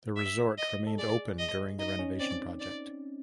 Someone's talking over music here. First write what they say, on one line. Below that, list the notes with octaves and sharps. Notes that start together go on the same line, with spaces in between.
The resort remained open during the renovation project.
E5
D#5
A4
G#4 D5
D#5
D#4 D#5
C#4
C4 D5
D5